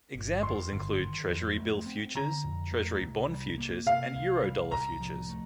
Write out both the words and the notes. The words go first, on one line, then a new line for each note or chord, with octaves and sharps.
Examples include Treasury-bill futures, Treasury-bond futures and Eurodollar futures.
G1
F2 C6
G1
D#3
F2
A3
C4
D3 A#5
F2
A3
C2
G3
A#3
C3 F5
C2
G3
C2 A#5
F3
A3